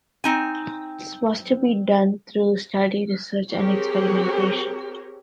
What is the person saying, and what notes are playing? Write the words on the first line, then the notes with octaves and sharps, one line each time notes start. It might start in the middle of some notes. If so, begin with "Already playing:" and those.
This was to be done through study, research, and experimentation.
C4 D#4 G#5
C4 G4 G#4 A#4 C#5